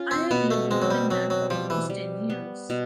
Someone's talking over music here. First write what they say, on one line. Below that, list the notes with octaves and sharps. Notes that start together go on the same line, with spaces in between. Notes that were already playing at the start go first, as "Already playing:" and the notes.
I have lived in Finland for almost ten years.
Already playing: C#4 F4
C4
B2 B3
A3
G#3 C4
F#3
G3
F#3 C4
F#3
F3 G3
E3
G3
B3
B2